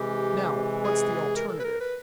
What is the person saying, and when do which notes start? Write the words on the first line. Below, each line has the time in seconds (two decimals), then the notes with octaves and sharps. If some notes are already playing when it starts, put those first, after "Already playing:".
"Now, what's the alternative?"
Already playing: C3 E3 G#3 G4
0.84 G#4
1.36 A#4
1.48 A4
1.60 B4
1.64 A#4
1.80 B4